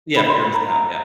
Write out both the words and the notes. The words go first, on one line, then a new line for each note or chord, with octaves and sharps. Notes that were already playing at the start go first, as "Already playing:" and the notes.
Yeah, fear of missing out, yeah.
B5
C6
B5
A#5
A#5